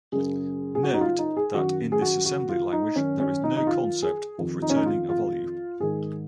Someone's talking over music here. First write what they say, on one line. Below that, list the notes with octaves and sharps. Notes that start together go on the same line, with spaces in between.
Note that in this assembly language, there is no concept of returning a value.
F#2 C#3 G#4
G#4
F#4
D#4
F4
D#4
G#4
F#2 D#3 F#4
G#4
F#4
F#4
F4
D#4
F#2 D#3 C#4
C#4
D#4
D#4
F4
G#4
F2 D#3
D#4
C#4
D#4
F4
F4
G#2 D#3 G#4